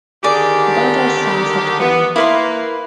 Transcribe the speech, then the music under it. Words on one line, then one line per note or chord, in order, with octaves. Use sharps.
The batter stands at Home.
D3 D#3 G4 G#4 D5
B3
A#3 E4 B4 C6